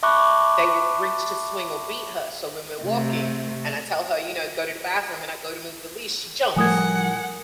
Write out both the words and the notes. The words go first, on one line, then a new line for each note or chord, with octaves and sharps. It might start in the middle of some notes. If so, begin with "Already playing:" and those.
they would reach to swing or beat her, so when we're walking and I tell her, you know, go to the bathroom and I go to move the leash, she jumps,
E5 A5 B5 C#6 D6 F#6
C3 A3
A2 F3 G3 A#4 F#5 G#5 D#6 G#6